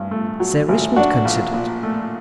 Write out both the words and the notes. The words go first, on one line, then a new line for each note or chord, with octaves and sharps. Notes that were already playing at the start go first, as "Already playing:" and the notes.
Sir Richmond considered.
Already playing: A1 G2
A3
F#3
A1
F#3 D4 F#4
A#1
A#2
A3